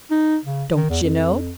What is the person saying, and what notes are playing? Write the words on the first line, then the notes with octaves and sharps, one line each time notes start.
Don't you know?
D#4
C#3
D#3
E2
F2